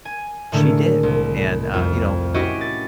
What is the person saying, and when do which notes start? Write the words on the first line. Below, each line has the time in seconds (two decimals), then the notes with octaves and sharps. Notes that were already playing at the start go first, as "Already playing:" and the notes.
she did, and, uh, you know,
0.05 G#5
0.52 A2 D3 D#3 G#3 A3
1.03 C2
1.74 F2
2.34 C#4 E4 F#4 G4 D#5
2.61 A6